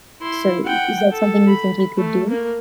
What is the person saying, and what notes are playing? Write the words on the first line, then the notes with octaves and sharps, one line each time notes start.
So is that something you think you could do?
E4 C6
F#5 G5
A4
B5
A3
A#3